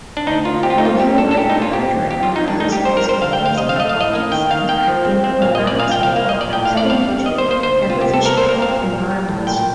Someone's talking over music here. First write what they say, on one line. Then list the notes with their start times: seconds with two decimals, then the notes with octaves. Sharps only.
Nodular anhydrite occurs as replacement of gypsum in a variety of sedimentary depositional environments.
0.17 D4
0.27 D2 D#4
0.45 A#3 F4
0.63 C4 G4
0.70 F4
0.78 D#4
0.82 C4 F4
1.00 G3 G4
1.18 A2 A4
1.31 A4
1.37 A#2 G4
1.50 D#4
1.56 A#2
1.62 F4
1.73 C4 G4
1.93 D#2
2.11 F2 G4
2.23 F4
2.29 F2
2.36 D#4
2.48 D#3 D4
2.60 D#4
2.67 G3
2.72 G4
2.85 F2 C5
2.97 A#4
3.03 G3
3.09 C5
3.21 D3 F5
3.33 G5
3.40 D2
3.46 F5
3.58 C3 D#5
3.69 F5
3.76 A3 D#5
3.89 F5
3.95 A2
4.01 D#5
4.13 A#3
4.31 D#3 G5
4.50 D#3 F5
4.69 A#3 G5
4.88 F3
5.05 C4
5.24 C4
5.42 A#2 F5
5.55 D#5
5.61 A#2
5.67 D5
5.79 A#2 F5
5.92 G5
5.98 C2
6.03 F5
6.16 A#3 F5
6.29 D#5
6.35 A#2
6.41 D5
6.53 A2 G5
6.65 F5
6.71 A2
6.77 D5
6.90 G2 F5
7.09 G3
7.26 D#3 D#5
7.38 C5
7.46 A#3
7.51 C5
7.63 D2 C5
7.82 C3
7.90 F4
8.01 C3 G4
8.14 C2 A4
8.25 A#4
8.37 A3 C5
8.49 A#4
8.55 C4
8.62 F5
8.73 A#2
8.93 G3
9.11 G3
9.29 A2
9.47 A#2 G5